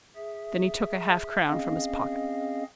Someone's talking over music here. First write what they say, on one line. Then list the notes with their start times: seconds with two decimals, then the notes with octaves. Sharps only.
Then he took a half-crown from his pocket.
0.16 G#4 E5
1.48 C4 C#4 G#4 D#5 F5